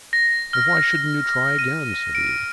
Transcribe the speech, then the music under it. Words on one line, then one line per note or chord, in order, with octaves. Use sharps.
"And why shouldn't you try again?" said Eames.
A#6
F6
D#7
D7